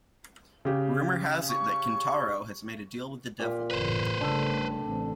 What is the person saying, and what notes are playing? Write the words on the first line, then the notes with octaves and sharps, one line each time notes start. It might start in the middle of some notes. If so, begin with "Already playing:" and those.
Rumor has it that Kintaro has made a deal with the devil.
C#3 G4
C#6
A#2 G4
F#1 E2 A2 B4 C5
G1 C#3 A3 D4 A4
A1 C4